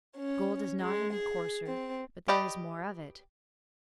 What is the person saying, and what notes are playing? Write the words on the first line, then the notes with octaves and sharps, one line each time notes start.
The gold is not any coarser, but there is more of it.
C#4
G#3
G#4
C4
G4 B4 D5 D#5 G5